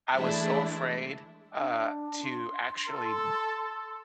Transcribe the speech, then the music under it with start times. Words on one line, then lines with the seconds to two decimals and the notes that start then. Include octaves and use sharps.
I was so afraid, uh, to actually d
0.13 E3 G#3 A3 D4 E4
1.59 D4
2.24 C6
2.89 A4